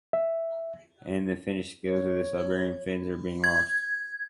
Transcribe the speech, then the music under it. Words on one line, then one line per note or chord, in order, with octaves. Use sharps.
And the Finnish skills of the Siberian Finns are being lost.
E5
C#5
G#6